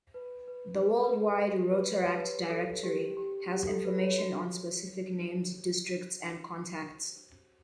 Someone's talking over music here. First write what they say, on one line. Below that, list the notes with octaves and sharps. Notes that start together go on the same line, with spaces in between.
The Worldwide Rotaract Directory has information on specific names, districts, and contacts.
B4
B4
B4
A4
B4
A4
G4
B4
C#5
B4
A4
G4
G4
G4
A4
B4
C#5
F#4